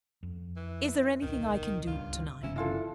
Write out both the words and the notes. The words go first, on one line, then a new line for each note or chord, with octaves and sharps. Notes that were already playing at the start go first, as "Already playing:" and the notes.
"Is there anything I can do to-night?"
F2
E3
D1 B1 B2 D#3
C#2 G2 F4
F#1 C3 E3 C#4 E4
D4 E4 F4 A4